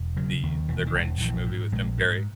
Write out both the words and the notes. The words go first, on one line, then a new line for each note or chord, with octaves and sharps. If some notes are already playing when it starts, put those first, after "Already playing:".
The The Grinch movie with Jim Carrey,
Already playing: E1
C#3 F#3
D#2
E1 E3
D#3
E1
E3
A#1 E3
G#2
A#1 G#3
G#2